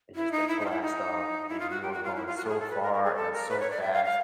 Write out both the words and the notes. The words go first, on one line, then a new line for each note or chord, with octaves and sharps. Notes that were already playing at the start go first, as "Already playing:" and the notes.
and just the blast off, and you are going so far and so fast,
E4
D#4
E4
D#4
F4
E4
D#4
E4
F4
F#4
G4
F#4
F4
E4
F4
F#4
A4
G#4
A4
B4
A#4
A#4
G#4
A4
A#4
B4
C#5
D5
E5
F5
F5